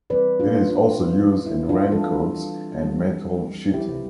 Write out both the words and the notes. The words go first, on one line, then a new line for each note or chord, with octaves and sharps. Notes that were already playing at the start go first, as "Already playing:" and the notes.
It is also used in raincoats and metal sheeting.
E3 G3 C4 B4 D5
D4 F4
D4 F4
E3 G3 C4 E4
D4
E4
D4 F4
E3 G3 C4 F4 A4
E3 G3 C4
F3 A3 C4 E4 G4